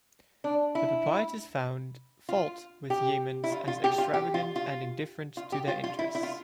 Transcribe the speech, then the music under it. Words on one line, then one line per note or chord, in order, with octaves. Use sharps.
The proprietors found fault with Yeamans as extravagant and indifferent to their interests.
D4
E4
F4
G4
E4
F4
F4
G4
F4
G4
F4
F4
F4
G4
F4
F4
E4
E4
F4